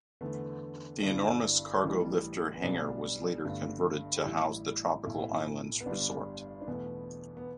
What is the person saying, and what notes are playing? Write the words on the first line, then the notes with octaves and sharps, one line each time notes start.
The enormous CargoLifter hangar was later converted to house the Tropical Islands Resort.
E2 D3 A3 B3
G1 G2 D3 D4
E4
D4
A1 A2 E3 G3
B3
B1 B2 G3 D4
G1 G2 D3 A3
G4
A1 A2 G3 E4
B1 A2 A3 E4
B3
G1 G2 G3 D4
D4
E2 B2 A3 B3
B3